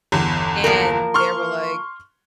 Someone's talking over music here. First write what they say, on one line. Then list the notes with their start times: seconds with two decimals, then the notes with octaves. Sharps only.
and they were, like,
0.12 G1 E2
0.64 F3 A#3 A#4
1.14 C6 C#6 F6